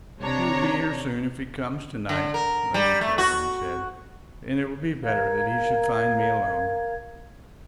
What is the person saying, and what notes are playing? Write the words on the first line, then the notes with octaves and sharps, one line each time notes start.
"He will be here soon, if he comes to-night," Lady Clavering said, "and it will be better that he should find me alone."
C3 D4 C#5 A#5
D3
A#4
G3
A3
F#4
A#4 F5 A#5 G#6